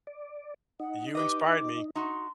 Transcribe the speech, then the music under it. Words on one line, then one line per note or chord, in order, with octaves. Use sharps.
You inspired me.
D5
D#4 F#5
G4 B4 D#5 D6
D#4 F#4 C6